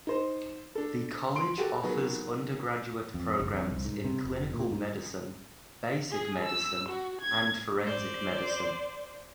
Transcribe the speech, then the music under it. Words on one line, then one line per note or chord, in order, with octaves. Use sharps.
The college offers undergraduate programs in Clinical Medicine, Basic Medicine and Forensic Medicine.
D#4 C5
D4 A4
C6 D7
F#4 G4 A4
D#3 F#3 B3 F#4 G#4
F2
F#1
F2
C2
G#2
C3
F1
A#2
G#2
G#4
E6
F#4
G#6
C5 D5